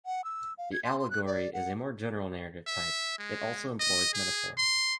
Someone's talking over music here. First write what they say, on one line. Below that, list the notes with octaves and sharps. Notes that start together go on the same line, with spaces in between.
The allegory is a more general narrative type; it also employs metaphor.
F#5
E6
F5
G#6
C6
C6
F#6
D5
F#5
E5
G#3
D#5
G#4
C6